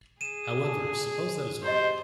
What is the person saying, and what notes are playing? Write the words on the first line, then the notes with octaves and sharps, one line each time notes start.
However, suppose that is normal.
G#4 D#7 E7
F5 G#5 A5
F#4 G4 C5 D#5